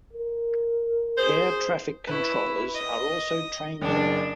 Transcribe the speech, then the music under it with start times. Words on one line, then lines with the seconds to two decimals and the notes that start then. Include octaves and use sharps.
Air traffic controllers are also trained there.
0.13 A#4
1.18 G#4 C5
2.07 E4 B4 C#6
2.74 D#5
3.82 F#1 D4